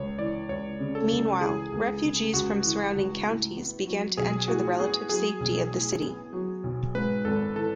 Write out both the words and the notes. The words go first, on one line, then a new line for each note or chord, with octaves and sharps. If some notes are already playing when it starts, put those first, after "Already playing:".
Meanwhile, refugees from surrounding counties began to enter the relative safety of the city.
Already playing: C#2 C#5
E3 D5
C#2 C#5
C#3
A4
C#2
E3 G#4
C#2
C#3
C#2 F#4
E3
C#2
A2
B3
F#3
B1 G#4
A2 F#4
B3 G#4
F#3 G#4
B1
A2
B3
F#3
B1
G#2 B4
G#1 A4
E3 A4